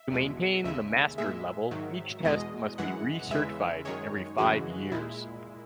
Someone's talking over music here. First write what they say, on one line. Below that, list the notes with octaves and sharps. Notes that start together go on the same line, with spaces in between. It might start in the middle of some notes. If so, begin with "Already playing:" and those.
To maintain the Master Level, each test must be recertified every five years.
Already playing: E5
E2 B2 G#3
D#2 C#3 G#3 E5
A#2 G#3 E5
G#2 D#3 F#3
E2 B2 G#3 D#5
F#2 E3 G#3 F#5
E2 C#3 E3 G#3 E5
F#2 D#3 G#3 C#5
F#2 C#3 E3 G#3 F#4
A#2 G#3 E4